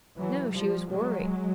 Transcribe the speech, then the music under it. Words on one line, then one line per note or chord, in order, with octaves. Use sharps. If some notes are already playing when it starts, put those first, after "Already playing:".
"No--she was worried."
E3 F#3
F3 G3
F#3 G#3